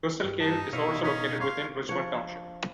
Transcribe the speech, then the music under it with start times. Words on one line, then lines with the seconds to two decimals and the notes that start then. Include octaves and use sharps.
Crystal Cave is also located within Richmond Township.
0.24 G2 G4
0.40 G2 D#4 A5
0.73 B2 D#4 E4 C#5 F5
1.03 C#4 A#5 D#6 B6
1.40 F5 C6 C#6 G#6
1.89 F3 D4 C#5